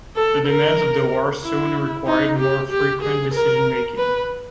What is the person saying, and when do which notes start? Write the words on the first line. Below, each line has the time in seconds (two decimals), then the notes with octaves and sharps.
The demands of the war soon required more frequent decision-making.
0.16 A4
0.48 A#4
1.43 E4
2.07 D#4
2.39 G4
2.70 G4
3.02 G#4
3.34 A#4
3.97 B4